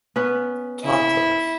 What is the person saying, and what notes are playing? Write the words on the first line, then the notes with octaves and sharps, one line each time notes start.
Talk to us.
B3 C#4 B4
E4